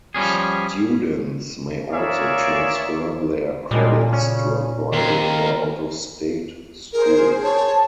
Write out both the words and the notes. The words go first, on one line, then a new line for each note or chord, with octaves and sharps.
Students may also transfer their credits to a private or out-of-state school.
F3 G3 C#4 G#4
F4 G#4 A#4 C#5 D5 E5
A#2 G3 G#3 D4
C#3 C#4
D#2 C4 A#4
G#4 A#4 C5
C#5 A5